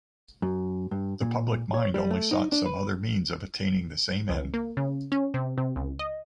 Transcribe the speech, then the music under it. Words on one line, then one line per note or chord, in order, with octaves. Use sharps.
The public mind only sought some other means of attaining the same end.
F#2
G2
A#2
C#5
G3
A3
D#4
D4
B4
C#2
A#3
C#3
C#4
C3
C3
C#2
D#5